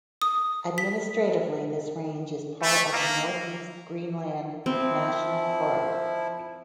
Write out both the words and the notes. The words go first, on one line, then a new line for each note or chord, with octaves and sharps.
Administratively this range is part of the Northeast Greenland National Park.
D#6
B6
A3
A#3
F3 C4 E4